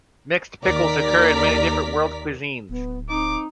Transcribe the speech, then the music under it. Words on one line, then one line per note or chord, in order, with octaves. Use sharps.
Mixed pickles occur in many different world cuisines.
D#2 A#4 D5 B6
D1 B3
C4 D#4 D6